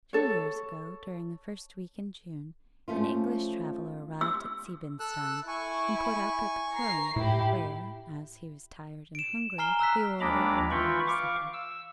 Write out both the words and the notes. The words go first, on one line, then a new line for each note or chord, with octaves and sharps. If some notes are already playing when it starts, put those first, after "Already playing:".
Two years ago, during the first week in June, an English traveller arrived at Siebenstein and put up at the "Krone," where, as he was tired and hungry, he ordered an early supper.
A4 C#5
F3 A3 C#4 F4
E6
A4 E6 F#6
E4 G#5 C#6
A#5 C7
A2 E4 G4
D7 E7
G#5 A#5 F6 C7 G7
A#5 E6 F#6 B6
D#2 G#3 D4 A#5 B5 D6
E3 F4 G5 B5 C#6
F5 C#6 D6
E6